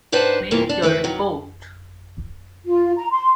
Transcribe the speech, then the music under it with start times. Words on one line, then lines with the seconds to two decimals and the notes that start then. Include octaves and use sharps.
Make your report.
0.12 G#2 D4 B4 C5 F#5 A5
0.51 G2 C3 E3 A#3 F4 A#4
0.69 D4
0.82 D2 E4 B4 E5
1.04 D#3 F#3
2.66 F4
2.97 A#5
3.11 C6